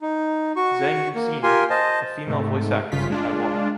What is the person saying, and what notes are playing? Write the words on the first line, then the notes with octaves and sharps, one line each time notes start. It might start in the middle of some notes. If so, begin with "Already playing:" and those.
Zheng Yuxin, female voice actress in Taiwan.
D#4
F#4 C#6
A#3
F4 G4 A#4 G#5 C6
C5 D#5 A5
G#2 C3 A3
G1 C#3 F4 B6
G#3 D4 F4